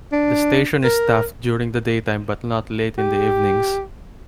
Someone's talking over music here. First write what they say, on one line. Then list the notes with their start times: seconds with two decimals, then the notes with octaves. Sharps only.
The station is staffed during the daytime but not late in the evenings.
0.12 D4
0.84 A#4
2.98 G4